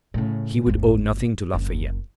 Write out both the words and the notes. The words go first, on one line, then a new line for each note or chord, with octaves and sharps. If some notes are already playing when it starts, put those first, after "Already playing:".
He would owe nothing to Lafayette.
A2 C#3
G1 D2
F#1 F#2